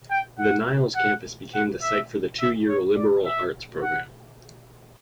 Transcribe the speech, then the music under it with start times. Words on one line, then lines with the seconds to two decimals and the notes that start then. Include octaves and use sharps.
The Niles campus became the site for the two-year liberal arts program.
0.10 G5
0.38 F#5
0.95 F#5
1.54 F#5
1.82 E5
2.40 E5
2.68 C#5
2.96 D5
3.25 E5
3.82 F#5